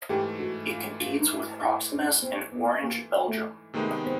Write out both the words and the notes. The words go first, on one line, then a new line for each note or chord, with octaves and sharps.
It competes with Proximus and Orange Belgium.
G#2 E3 A3 G4
F#4
F4
F4
D#4
E4
E4
C#4
C4
B3
A#3
A3
C3 D#3 G#3 A3 B3 D#4
C4